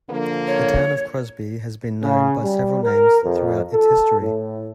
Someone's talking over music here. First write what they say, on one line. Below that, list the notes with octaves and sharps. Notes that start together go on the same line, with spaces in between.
The town of Crosby has been known by several names throughout its history.
D3 F3 A#3
C#5
C#3
G3
A#4
F2
A4
A2